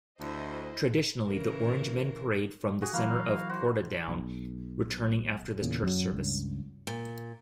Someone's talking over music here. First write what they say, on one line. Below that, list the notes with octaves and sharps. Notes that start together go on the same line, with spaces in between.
Traditionally the Orangemen parade from the centre of Portadown, returning after the church service.
D2 E4 C5 D#5
C#3 E3 A#4
F#4 G#4
E3 F#3 A#3 E4 F5
F#4 C5
B1
E2 A#2 C#3
F#2 F#3
C#2 G2
A#2